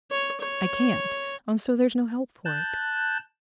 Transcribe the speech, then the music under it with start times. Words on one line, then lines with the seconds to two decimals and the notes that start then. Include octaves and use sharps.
"I can't! and so there's no help for it."
0.11 C#5
0.40 C#5
2.45 A5 F#6 G6